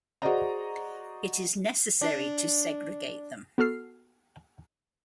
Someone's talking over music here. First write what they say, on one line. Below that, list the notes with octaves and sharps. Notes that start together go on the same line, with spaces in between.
It is necessary to segregate them.
F#4 G#4 C5 D5 D#5 A#5
D4
B3 F#4 A4 F6 C7